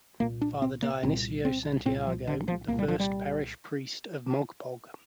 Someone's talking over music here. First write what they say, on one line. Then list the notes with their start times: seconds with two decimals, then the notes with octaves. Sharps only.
Father Dionisio Santiago the first parish priest of mogpog.
0.20 C2 A#2 A#3
0.41 D4
0.62 C4
0.82 A#3
1.03 C2 A#2 C4
1.45 C4
1.85 A#2 C4
1.89 C2
2.07 F3
2.27 D3
2.48 F3
2.68 C2 A#2 A#3
2.79 G3
2.88 F3
3.00 G3